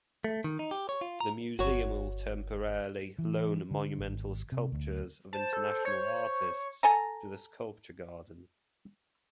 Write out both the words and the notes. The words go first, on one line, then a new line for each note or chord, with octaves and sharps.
The museum will temporarily loan monumental sculptures of international artists to the sculpture garden.
A3
D#3
D#4
G4
C#5
F4
A#5
G1 F#4 C#5
E3
D3
G#1
C3
D2
C5 A5
A4
C#5
A4 G#5 A#5